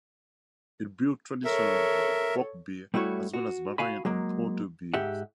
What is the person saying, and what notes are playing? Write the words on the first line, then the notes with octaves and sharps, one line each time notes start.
It brewed traditional Bock beer, as well as Bavarian and Porter beers.
A4 A#4 C#5 E5
G3 A3 E4 F#4 C#5
F#4
F#4 F5 G#5 B5
F#3 G#3 A#3
G#2 G4 E5 F#5